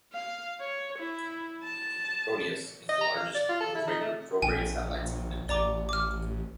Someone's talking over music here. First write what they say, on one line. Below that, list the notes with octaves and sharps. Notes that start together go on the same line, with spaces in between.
Proteus is the largest of the regular prograde satellites of Neptune.
F5
C#5
E4
A5
D#5
A#5
F5
D5
F4
A4
E4
D#4
A3
A#1 G5 G#5
A1 D5 A#5 D6
D6 F6